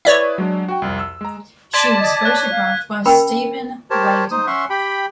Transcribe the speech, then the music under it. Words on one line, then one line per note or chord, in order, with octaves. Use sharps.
She was photographed by Stephen Wayda.
E4 G#4 B4 C#5 D5 E5
F#3 G#3 D4
F#4 G5
C2 F2
E6
G#3 A#5
D5 A5 C6 G#6 B6 D#7
D#5
C#5 F#6 G#6
F5
C#4 A#4 G5 B5
G4 A#4 C5 C#5 A5
D#4 C5 D#6
C#4 E5 F#5 C6 C#6
G4 G5 B5